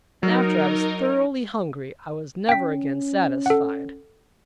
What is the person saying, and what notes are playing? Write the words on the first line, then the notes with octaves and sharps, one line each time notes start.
And after I was thoroughly hungry, I was never again satisfied.
F#3 D#4 A#4
C#4 G5 B6
A4 F#5